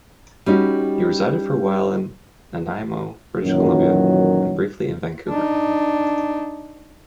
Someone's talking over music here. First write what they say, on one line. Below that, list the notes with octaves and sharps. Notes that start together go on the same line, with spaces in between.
He resided for a while in Nanaimo, British Columbia, and briefly in Vancouver.
G3 C#4 D#4 F#4
F#2 A#2 D#3 E3 F#3
D4 D#4